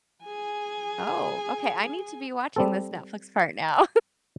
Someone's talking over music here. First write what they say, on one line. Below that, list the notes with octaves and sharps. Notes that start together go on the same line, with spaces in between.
Oh, okay. I need to be watching this Netflix part now.
G#4 G#5
G3 C4 A4